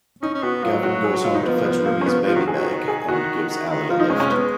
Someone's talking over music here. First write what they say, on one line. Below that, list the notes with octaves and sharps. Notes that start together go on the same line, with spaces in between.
Gavin goes home to fetch Ruby's baby bag and gives Allie a lift.
C#4 D#4
C#4
B3 F#4
F#3 F4
F#4
G#4
F#4
F4
D#4
D#3
F3 B3
A#3
B3
A#3
C#4
B3
F3 F4
D#3 F#4
G#4
D#3 F#4
F#4
G#4
D#3 F#4
D#3
D#3
F3 F4
D#4
G#3 C#4
C#4
G#3 B3